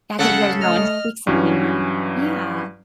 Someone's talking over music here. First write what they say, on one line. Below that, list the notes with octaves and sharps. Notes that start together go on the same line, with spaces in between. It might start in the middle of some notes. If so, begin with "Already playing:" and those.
Yeah, 'cause there's no one who speaks it anymore. Yeah.
C#3 G#3 A4 F#5
A3 D#5 F6
G2 E3 F#3 C#4